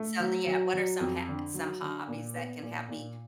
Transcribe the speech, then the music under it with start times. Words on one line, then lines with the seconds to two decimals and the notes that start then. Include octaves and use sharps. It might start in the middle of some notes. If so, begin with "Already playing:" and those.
So, yeah, what are ha some some hobbies that can have me
Already playing: A3
0.20 F#3
0.47 F#3
0.74 F#3
1.00 F2
1.28 D3
1.54 F#3
1.81 D3
2.08 A#2
2.35 B3
2.62 A#2
2.89 A#2